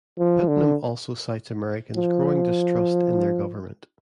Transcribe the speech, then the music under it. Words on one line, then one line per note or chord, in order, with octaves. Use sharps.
Putnam also cites Americans' growing distrust in their government.
F3
D3
F3